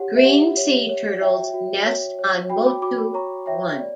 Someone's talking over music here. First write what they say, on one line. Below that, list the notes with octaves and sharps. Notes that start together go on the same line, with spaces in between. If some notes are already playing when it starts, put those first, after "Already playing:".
Green sea turtles nest on Motu One.
Already playing: G4 C#5 F#5
E5
G4 F#5
C#5
C#5
F#4 E5 G5
F#4
C#5
C#5
F#4 G5 B5
B5 D6
F#4 B5 D6
B5 D6
C#5 A#5 C#6
C#5 E5 G5
D5